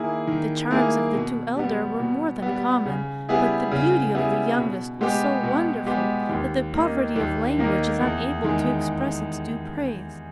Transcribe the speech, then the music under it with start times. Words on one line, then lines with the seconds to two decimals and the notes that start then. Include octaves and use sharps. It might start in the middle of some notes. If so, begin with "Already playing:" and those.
The charms of the two elder were more than common, but the beauty of the youngest was so wonderful that the poverty of language is unable to express its due praise.
Already playing: D#3 A#3 E4 G#4
0.27 D#3
0.71 A#3 E4 G#4
1.14 B2
1.57 G3 B3
2.00 B2
2.42 G3 B3
2.86 C#3
3.29 G3 B3 E4 G#4
3.71 C#3
4.15 G3 B3 E4 G#4
4.57 B2
5.01 G#3 B3 G4
5.43 B2
5.86 G#3 B3 G4
6.29 D#2
6.73 D#3 A#3 D#4
7.16 D#2
7.58 D#3 A#3 D#4
8.01 E2
8.44 D#3 G#3